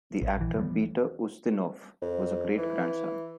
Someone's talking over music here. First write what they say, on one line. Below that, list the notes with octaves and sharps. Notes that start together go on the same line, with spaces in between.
The actor Peter Ustinov was a great-grandson.
A#1
E3
E3 F3 G3 B3
F2
E3